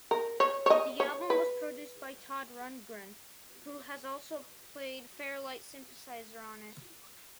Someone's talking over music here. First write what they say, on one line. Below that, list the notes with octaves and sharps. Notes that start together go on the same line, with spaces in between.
The album was produced by Todd Rundgren, who also played Fairlight synthesizer on it.
A#4
C#5
C#5
D#5
C#5
B4